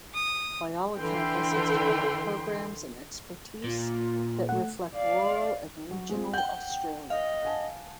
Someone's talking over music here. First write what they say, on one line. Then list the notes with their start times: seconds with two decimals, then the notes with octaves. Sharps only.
Whyalla campus has developed programs and expertise that reflect rural and regional Australia.
0.14 D#6
0.99 D3 E3 B4 G5 C6
3.64 A#2 F4
4.49 A3 F#5
4.95 D5 F5
5.91 F#3
6.09 G#3 C4 F4
6.33 F#5 G5 G6
7.10 D#5 F5
7.43 F#5 G#5 A5